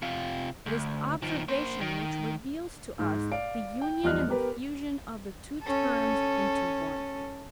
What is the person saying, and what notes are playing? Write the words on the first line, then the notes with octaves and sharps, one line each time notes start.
It is observation which reveals to us the union and the fusion of the two terms into one.
C3 F4
D2
D#3 F3
A#3 C5
D#3
G#2
D5 F5 D7
G5
E2 F3 G3 D#5 F6 F#6
B3 G4 A#4 B4
C#4 A4